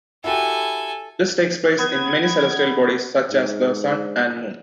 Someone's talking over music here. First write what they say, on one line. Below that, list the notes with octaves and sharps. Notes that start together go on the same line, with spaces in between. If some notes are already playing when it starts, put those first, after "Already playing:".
This takes place in many celestial bodies such as the Sun and Moon.
E4 F#4 G4 A4 G#5
B3 G#6
G#2